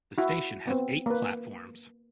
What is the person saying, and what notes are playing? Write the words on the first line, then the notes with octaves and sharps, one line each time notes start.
The station has eight platforms.
E4 F#4
B3 C4
A#3 B4